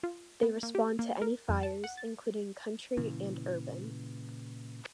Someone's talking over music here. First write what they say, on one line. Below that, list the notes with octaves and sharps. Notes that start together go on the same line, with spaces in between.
They respond to any fires including country and urban.
F4
B3
A#3
G4
A#3
A#4
F2
A5
F#5
A6
A#2 C#3 E3